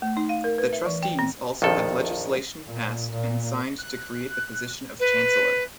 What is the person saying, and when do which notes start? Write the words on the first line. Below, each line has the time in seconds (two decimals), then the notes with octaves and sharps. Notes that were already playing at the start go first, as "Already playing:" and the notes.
The trustees also had legislation passed and signed to create the position of chancellor.
0.02 A3
0.17 D#4
0.29 F5
0.44 A#4
0.58 B4
0.73 E5
0.86 E3
1.03 G5
1.19 C4
1.62 A#1 F2 D#3 A4
2.66 A#2
3.12 A#2
3.78 F#6
4.99 B4